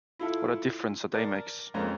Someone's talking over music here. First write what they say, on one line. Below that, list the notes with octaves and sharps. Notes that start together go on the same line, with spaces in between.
What a Diff'rence a Day Makes!
E4 F4 A4
A#4 D5 A5
F2 G#3 A#3 C#4 C5 A#5